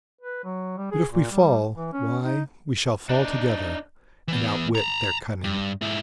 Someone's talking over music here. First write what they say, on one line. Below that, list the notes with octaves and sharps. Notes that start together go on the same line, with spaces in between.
But if we fall, why, we shall fall together, and outwit their cunning.
B4
F#3
G3
G#4
A#2
G3
E3
C#4
D#4
D4 D#4
E3 B3
A5 A#5
G2
G#2 E4